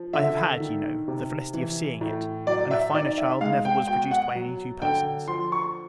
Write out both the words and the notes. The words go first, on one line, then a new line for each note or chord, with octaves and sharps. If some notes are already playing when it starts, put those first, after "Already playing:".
I have had, you know, the felicity of seeing it, and a finer child never was produced by any two persons.
Already playing: F3
D3 E5
D#3
C3
E3
A2
F#3 D5
E5
D#3 D5
E5
G#3 F5
G5
B2 G5
F#5
F#3
D3 G5
F3 C6
C#6